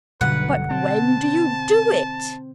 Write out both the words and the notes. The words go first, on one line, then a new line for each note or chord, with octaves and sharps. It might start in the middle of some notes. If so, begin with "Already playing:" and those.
"But when do you do it?"
B1 G2 B2 D3 F#3 B4 F#5
C4 A5